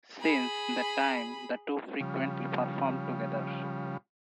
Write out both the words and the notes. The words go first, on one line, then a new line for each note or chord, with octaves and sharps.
Since that time the two frequently performed together.
G#4 B5
C#3 F3 G3